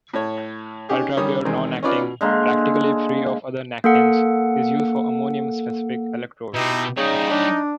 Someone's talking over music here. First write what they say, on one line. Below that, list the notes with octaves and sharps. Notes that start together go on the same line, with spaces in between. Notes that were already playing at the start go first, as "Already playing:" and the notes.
Ultrapure nonactin, practically free of other nactins, is used for ammonium-specific electrodes.
A2 C#5
C#4 D#4 G4 G#4
D3 D#3 G3 C#4 C#5 D#6
E2 D#3 G#3 C4
C#4 D#4 F4 B4 D5
B2
D3 G#3 A#3
A#3 A4 F#5
B2 D#4 E4 G4
C#3 G3 D#4 C#5
D4